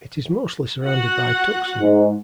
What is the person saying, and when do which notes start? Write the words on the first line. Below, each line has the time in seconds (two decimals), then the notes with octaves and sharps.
It is mostly surrounded by Tucson.
0.84 F#4 F#5
1.81 G#2